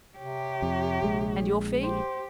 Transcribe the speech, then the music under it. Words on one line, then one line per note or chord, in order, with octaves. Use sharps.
"And your fee?"
C3 G4 C#5
F2
A#1 G#3
G4 C5